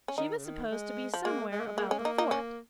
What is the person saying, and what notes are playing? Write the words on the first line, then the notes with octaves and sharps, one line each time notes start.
She was supposed to be somewhere about the fort.
C#4
D#3 D#4
C#3
D#3
G#3
F3
G#3 A#3
G#3
A#3
G#3
G#3 A#3
G#3 C#4
A#3
D#4
D#4
C#4